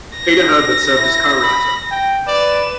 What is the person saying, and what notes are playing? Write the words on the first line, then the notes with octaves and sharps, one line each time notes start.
Peter Herbert served as co-writer.
A#6
E4
B5
G5
B4 D5 E7